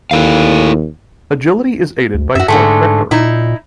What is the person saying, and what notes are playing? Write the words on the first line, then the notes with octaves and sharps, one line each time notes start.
Agility is aided by torque vectoring.
D#2 E4 A4 F5
D2
F#2 F#4 E5
G#2 D3 G#3 A3
A#2 D#4 E4